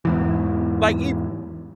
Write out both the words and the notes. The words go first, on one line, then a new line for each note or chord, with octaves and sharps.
Like, he
E2 G#2 E3